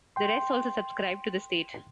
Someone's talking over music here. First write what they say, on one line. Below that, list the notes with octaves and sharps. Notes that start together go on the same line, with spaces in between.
The rest also subscribed to "The State".
G5 C6